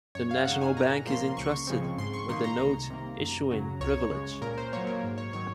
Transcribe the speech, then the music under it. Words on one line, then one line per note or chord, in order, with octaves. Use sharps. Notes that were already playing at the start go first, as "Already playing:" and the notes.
The National Bank is entrusted with the note-issuing privilege.
F#2 C#5
F5
C#3 G#3 D#4 F#5
G#5
A#2 A#5
F3 A#3 C#4 C6
C#2 C#6
C#3 F3 G#3 C4
G#2 C6
C#6
D#3 A#3 D#4 C6
A#5
C2
C3 D#3 A#3
F#2
C#3 F#3
C#2 C#5
C#3 G#3
A#2 A#4
C5
F#3 A#3 C#5
A#4
G#2
C#5
D#3 F#3 C#5